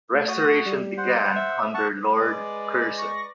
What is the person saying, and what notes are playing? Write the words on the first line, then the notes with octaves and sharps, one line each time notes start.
Restoration began under Lord Curzon.
A3
F#4 D#6
G3
C5 F#5
E5
F#5 A5 C#6
G#3 B4 D5
C#6 A#6